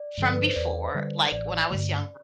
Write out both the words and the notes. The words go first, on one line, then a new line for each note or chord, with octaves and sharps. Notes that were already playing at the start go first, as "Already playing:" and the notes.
from before, like, when I was younger,
Already playing: D5
G2 D3 F3 A4
B4
C5
E2 D5
D3 G3
A1 D5
G2 D3 A3